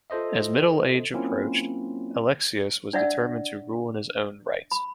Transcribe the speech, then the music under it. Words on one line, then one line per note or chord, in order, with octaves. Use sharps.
As middle age approached, Alexios was determined to rule in his own right.
F4 A4 C5 D#5 E5
F#3 A#3 C4 C#4 E4 F4
D4 C#5 D5 E5 F#5 E6
B5